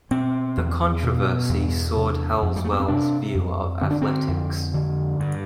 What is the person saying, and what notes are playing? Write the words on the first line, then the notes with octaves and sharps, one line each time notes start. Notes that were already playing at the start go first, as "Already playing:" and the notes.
The controversy soured Halswelle's view of athletics.
B2 C4
E2
B2
E2
C3
F2
G3
A3
B3
C4
C3 D4
F2
D3 C4
D4
C4
F2
D3
G2